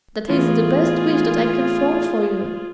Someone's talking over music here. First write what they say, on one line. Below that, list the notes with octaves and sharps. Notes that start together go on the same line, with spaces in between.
That is the best wish that I can form for you.
E2 A2 E3 F4 G#4